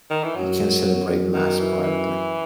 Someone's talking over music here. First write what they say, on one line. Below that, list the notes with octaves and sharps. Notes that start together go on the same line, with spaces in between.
He can celebrate Mass privately.
D#3
E3
F#2 F#3
D#3
E3
E3